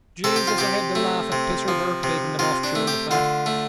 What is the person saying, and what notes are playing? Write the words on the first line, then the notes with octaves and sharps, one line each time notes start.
Jesus, I had to laugh at pisser Burke taking them off chewing the fat.
C3 A4
G4
F4
C3 G4
A3
C3
F3
C3
C3 F4
D4
A3
G4
D3 F4
A3